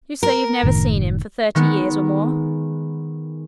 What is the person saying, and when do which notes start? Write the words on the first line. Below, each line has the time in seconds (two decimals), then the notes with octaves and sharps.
You say you've never seen him for thirty years, or more?
0.23 A#4
0.63 F#1 A2 D#3
1.55 D#3 G#3 B3